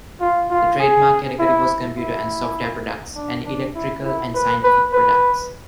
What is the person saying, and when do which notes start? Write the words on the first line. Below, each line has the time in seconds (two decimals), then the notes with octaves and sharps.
The trademark category was Computer and Software Products and Electrical and Scientific Products.
0.20 F4
0.51 F4
0.79 G#4
1.39 E4
1.97 E4
3.15 D4
3.46 D4
3.75 E4
4.04 E4
4.35 B4
4.63 B4
4.93 B4